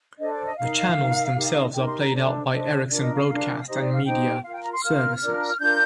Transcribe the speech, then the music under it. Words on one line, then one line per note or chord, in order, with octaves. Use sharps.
The channels themselves are played out by Ericsson Broadcast and Media Services.
D4 A4 C5 D#5
D5
D#5
D#4 A#4 F5
D#4 A#4
D#4 G4 A#4
D#4 G4 A#4 G5
C6
A#5
D4 A4 C5
D4 A4 C5 D#5
D4 F4 A#4 D5
D#5
F5
D4 F4 A#4
F5
D#4 G4 C5 D#5
D5
F5
D#4 G4 C5 G5
F4 A#4 F5
G5
A#5
C6
F4 A#4 F6
D4 F4 A#4
F6
D4 F4 A#4 G6